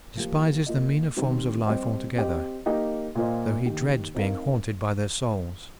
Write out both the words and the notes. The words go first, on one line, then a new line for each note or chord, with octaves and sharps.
Despises the meaner forms of life altogether, though he dreads being haunted by their souls.
F3 A#3 G4
A#3 F4 D#5
D#3 G3 C4 D#4 C5
G3 C4 G4 C5 D#5
C4 G4 D#5
A#3 D#4 G4 D#5
A#2 A#3 F4 C5 D#5
D#3 A#3 G4
C4 D#4 A#4 F5